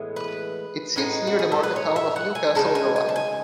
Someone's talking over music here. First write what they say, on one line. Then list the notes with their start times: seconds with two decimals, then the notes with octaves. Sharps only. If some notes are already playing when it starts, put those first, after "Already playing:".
It sits near the market town of Newcastle-under-Lyme.
Already playing: A2 E3 G#3 B3
0.16 B4
0.96 A2 G#3 B3 D#4
1.27 F#4
1.39 G#4
1.52 A4
1.63 B4
1.76 C#5
1.96 E5
2.16 F#5
2.35 G#5
2.55 C#3 G#3 D#4 A5
2.75 G#5
2.96 G#5
3.09 A5
3.16 G#5